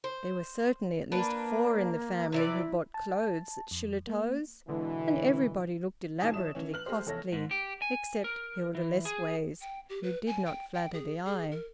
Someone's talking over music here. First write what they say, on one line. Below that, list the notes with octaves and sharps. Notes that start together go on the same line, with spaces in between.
There were certainly at least four in the family who bought clothes at Shillitoe's, and everybody looked elaborately costly, except Hilda Lessways, who did not flatter the eye.
C5
A#3 D4 B4
C3 E3 E4 D5
A5
F2
A#3
B2 D3 E3 G#3
G#2 D#3 F#3 G#5 A5 D#6
F3 C#5 E5 D#6 E7
E3 C#4
B4 F6 F#6 F#7
G#3 A3 G4 C5
F1 E2 A3 A4 C#5 A#6
G#2
G4
G#5
A#4
E3
G#4
G5
G4
B4
G#5
G5
G5
G#4
G#4
A#4